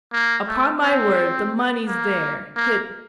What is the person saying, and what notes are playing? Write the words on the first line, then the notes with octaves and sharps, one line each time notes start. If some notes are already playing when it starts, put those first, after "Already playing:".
"Upon my word, the money's there, hidden."
A#3
A3
C4
A#3
A#3